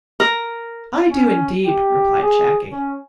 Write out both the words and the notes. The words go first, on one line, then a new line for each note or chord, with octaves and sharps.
"I do, indeed," replied Shaggy.
A#4
C#4
G4
G#4
C#4